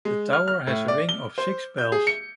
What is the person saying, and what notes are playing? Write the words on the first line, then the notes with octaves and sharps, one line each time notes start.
The tower has a ring of six bells.
G#3
F6
F6
A2
D5
G7
C5
G6
G#4
C#7